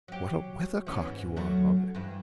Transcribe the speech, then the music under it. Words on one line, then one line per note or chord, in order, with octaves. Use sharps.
'What a weathercock you are, mother!
F#3 G4
E3 B3 C#4
G#2
F#2 F#3 A3
G2 E3